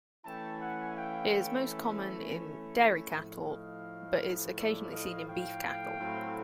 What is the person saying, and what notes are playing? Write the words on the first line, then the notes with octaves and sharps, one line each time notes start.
It is most common in dairy cattle, but is occasionally seen in beef cattle.
E3 A3 C#4 E4 G5 A5
F#5 G#5
F5 G5
A2 F3 A3
D#5 F5
D5 E5
D#5 F5
F5 G5
A2 F#3 A3 C4 E4